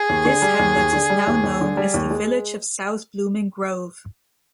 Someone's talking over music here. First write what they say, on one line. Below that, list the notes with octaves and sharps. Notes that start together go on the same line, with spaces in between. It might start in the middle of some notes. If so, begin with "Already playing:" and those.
This hamlet is now known as the Village of South Blooming Grove.
Already playing: G#4
D#2
D3
G3
D#2
D#2
D3
G3
D#2
D#2
D3
G3
D#2
G#3